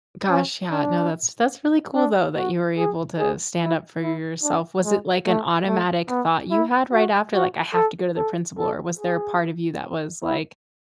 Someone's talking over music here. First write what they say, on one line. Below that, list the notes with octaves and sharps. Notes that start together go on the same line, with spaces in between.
gosh, yeah no that's that's really cool though, that you were able to stand up for yourself, was it like an automatic thought you had right after, like, “I have to go to the principal” or was there a part of you that was, like,
C#4
D4
D4
F#4
G#4
G#4
E4
E4
D4
G#3
A3
A3
B3
E4
F#4
F#4
A4
A4
A4
G#4
E4